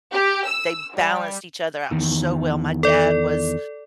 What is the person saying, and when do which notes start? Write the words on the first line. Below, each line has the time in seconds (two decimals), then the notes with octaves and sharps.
They balanced each other out so well. My dad was
0.12 G4
0.47 E6
0.95 G3
1.91 E2 D#3
2.83 A4 D5